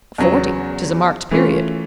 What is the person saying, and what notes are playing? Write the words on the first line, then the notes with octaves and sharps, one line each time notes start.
Forty; 'tis a marked period.
E2 C#3 F#3 B3
E3 A3 C#4 F4